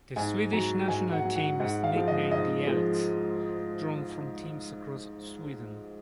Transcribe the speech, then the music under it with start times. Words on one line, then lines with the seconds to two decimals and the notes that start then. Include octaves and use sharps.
The Swedish National team is nicknamed the Elks, drawn from teams across Sweden.
0.16 G#2 G#5
0.53 F#3 A#5
0.88 G#2 G#5
1.12 F#5
1.25 F#3
1.36 F#5
1.60 G#2 F#5
1.84 F5
1.96 F3 G#3
2.08 D#5
2.31 G#2 D#5
2.67 F3 G#3